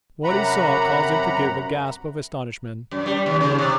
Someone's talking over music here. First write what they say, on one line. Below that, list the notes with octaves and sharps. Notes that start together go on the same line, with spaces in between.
What he saw caused him to give a gasp of astonishment.
F#2 C3 F#5 A#5 B5
F#2
G3
D#2
C#3
C3